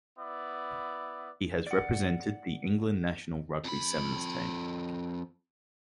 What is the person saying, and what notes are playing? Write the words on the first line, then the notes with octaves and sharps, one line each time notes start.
He has represented the England national rugby sevens team.
B3 E4 D5
D5 F#5
F2 B5